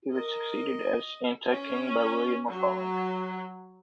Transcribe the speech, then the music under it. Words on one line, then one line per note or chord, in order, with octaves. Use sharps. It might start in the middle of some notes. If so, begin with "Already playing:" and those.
He was succeeded as anti-king by William of Holland.
A#4 D#5
C#4
F#3